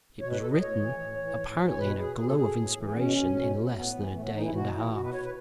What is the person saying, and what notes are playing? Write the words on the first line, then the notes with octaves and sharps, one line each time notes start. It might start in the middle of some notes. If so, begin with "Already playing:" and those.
It was written, apparently in a glow of inspiration, in less than a day and a half.
B2 C#5
B4
A4
D#5
A2 C#5
E3
A2
E3
A2
E3
C#5
B2 B4
G#4
B2 G#4
A4
G#4
A2
E3
B3
B2 C#4
B2
A3
A2 B3
E3
A2 A3
B3
E3 D#4
E4
B2 F#4
E4
B2 F#4
B4
C#5
B4